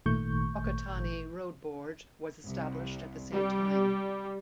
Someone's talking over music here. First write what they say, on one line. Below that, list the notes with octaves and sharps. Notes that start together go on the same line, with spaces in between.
Whakatane Road Board was established at the same time.
G#1 A#2 D#3 A3 C#6 G6
C2
G3